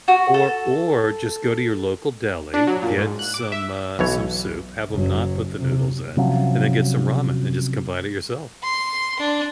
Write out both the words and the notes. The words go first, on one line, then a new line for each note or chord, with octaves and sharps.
Or or just go to your local deli, get some, uh some soup, have ‘em not put the noodles in, and then get some ramen, and just combine it yourself.
F#4
A4
D4
F#3
A#2
G#2
F#6
D6
E5
B1 E3 C#5
F#1 F#3
C3
C3 F3 F#3 C#4
C6
D4